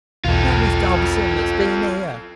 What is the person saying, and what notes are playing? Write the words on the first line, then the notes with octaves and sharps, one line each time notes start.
"That Miss Dobson that's been here."
B1 E2 F4 A4